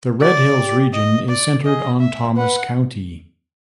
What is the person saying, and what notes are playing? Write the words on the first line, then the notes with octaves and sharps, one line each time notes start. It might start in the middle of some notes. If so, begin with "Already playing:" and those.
The Red Hills Region is centered on Thomas County.
F#4 D5
G4
D#5
D5
G#4 D#5
E5
B4 F#5